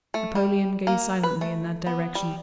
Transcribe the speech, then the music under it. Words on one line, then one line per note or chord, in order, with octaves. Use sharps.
Napoleon gazed silently in that direction.
A3
G3
A#3
B4
A3
B3
G3